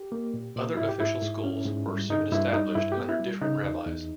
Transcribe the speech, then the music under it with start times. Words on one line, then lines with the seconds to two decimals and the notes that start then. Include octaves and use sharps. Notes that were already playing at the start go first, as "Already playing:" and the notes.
Other official schools were soon established under different rabbis.
Already playing: G4
0.12 A#3
0.34 A#2
0.56 A#2
0.77 G#2 E4
0.89 G4
1.00 G#2 E4
1.22 G#2
1.44 C#4
1.65 G#2
1.87 G3
2.09 G2 D#4
2.32 G2 E4
2.53 G3 D#4
2.75 G2 E4
2.92 G4
2.97 B3
3.09 E4
3.20 G3
3.41 C#3 D#4
3.63 E2
3.86 E2